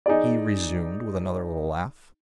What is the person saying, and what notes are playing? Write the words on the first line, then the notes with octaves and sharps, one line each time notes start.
He resumed with another little laugh.
D#4 G#4 D5